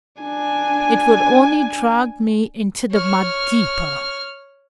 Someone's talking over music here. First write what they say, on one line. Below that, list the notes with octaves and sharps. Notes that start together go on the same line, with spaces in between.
It would only drag me into the mud deeper.
D4 G#5
C#5 F6